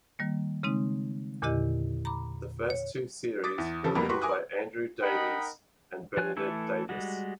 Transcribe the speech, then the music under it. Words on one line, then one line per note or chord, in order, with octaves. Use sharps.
The first two series were written by Andrew Davies and Bernadette Davis.
D#3 G3 A#3
C#3 G#3 C4 D#4
E2 A#2 D3 E4 G4 D#5
A#5 B5 D6
C#5
D6 D#6 A6 B6
E2
C#3 F3 A4
F2 G3 A#3 B3
F#4 G4 B4 C6 C#6
A#4 G#5 D6 D#6 F#6
D#4 A#4 D#5 F#5 G5 B5
F3 C#5 G#5 F#6
E3 A3 E4 A4 G#5
G3 G#3 F#4